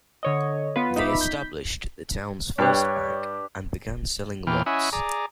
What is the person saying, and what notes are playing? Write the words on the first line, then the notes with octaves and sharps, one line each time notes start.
They established the town's first bank and began selling lots.
D3 C#5 D#5
B3 F4 B4
D#4 E5 B5 D6
G6 B6
G2 D4 G4 B4 C#5 C#6 F#6
E2 A#2 E3 G5 F6
C#4 E4 D#5 E5 F#5 G#5
G#4 D5 A#5